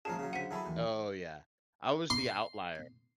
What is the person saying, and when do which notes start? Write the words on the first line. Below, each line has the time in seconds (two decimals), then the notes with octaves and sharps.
Oh, yeah, I was the outlier.
0.05 A#1 G2 F3 C#4 G#4 A#4 A5
0.19 C#3 F#3
0.33 D3 C5 F#5 B6 D#7
0.51 F#3 E4 G#4 A4 A5 B5
0.66 D#2 E3
2.10 C6